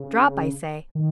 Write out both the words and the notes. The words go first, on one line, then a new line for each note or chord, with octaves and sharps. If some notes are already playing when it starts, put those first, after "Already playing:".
Drop, I say.'
Already playing: C#3
D#3